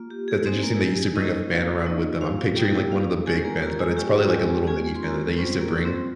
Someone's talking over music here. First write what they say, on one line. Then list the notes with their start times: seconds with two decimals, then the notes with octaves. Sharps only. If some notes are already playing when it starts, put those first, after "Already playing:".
that's interesting they used to bring a fan around with them, I'm picturing, like, one of the big fans, but it's probably, like, a little mini fan that they used to bring.
Already playing: A#3 F4
0.10 G4
0.28 G#4
0.46 G#3 C4 D#4 C5
0.63 A#3 A#4
0.76 G#4
0.81 G4
0.98 G#4
1.15 A#3 C#4 D#4 F4 D#5
1.51 F4 F5
1.86 A#3 C#4 D#4 F4 D#5
2.21 F4 F5
2.56 A#3 D#4 G4 G5
2.74 G4 G5
2.91 F4 F5
3.26 G#3 C#4 F4 G#4 G#5
3.44 A#4 A#5
3.62 A#4 A#5
3.79 G#4 G#5
3.97 G#3 C#4 F4 G4 G5
4.28 G#5
4.32 G4 G5
4.67 G#3 C#4 F4 G#4 G#5
4.95 C6
5.02 A#4 A#5
5.37 G3 C4 C#4 F4 C5
5.55 G#4
5.60 A#3 A#4
5.84 C4 C5